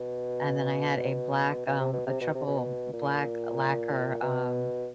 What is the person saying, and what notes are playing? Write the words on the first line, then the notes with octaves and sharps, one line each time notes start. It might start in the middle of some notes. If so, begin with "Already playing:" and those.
and then I had a black, um a triple black lacquer, um,
Already playing: B2
B2
C3
B2
C3
B2
C3
B2
A#2
B2